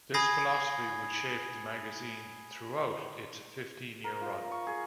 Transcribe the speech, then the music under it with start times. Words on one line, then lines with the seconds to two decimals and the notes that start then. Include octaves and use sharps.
This philosophy would shape the magazine throughout its fifteen-year run.
0.14 G#5 B5 D#6 G#6 A#6 C7
4.04 A#4
4.21 F4
4.51 C#6
4.67 G#4